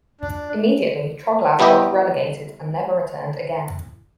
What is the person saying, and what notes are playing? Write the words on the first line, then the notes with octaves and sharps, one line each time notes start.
Immediately, Troglav got relegated and never returned again.
D4
E3 G3 B3 E4 G4 D#5